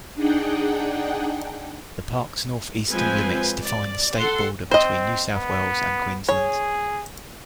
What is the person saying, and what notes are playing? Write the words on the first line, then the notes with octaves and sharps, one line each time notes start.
The park's north-eastern limits define the state border between New South Wales and Queensland.
D4 D#4 G#4 F#5 G5
F3 G#3 C4 B4 C5 G#5
D5
A4 F#5 C6
C4 C5 D#5
B3
G#4 C#5